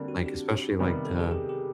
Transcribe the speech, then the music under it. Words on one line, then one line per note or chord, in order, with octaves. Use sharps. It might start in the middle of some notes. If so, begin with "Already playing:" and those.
Like, especially like the
Already playing: D3 G3 A#3 C4 D4
F#4
G4
C3 D#3 G3 B3
A4
G#4
G4
G4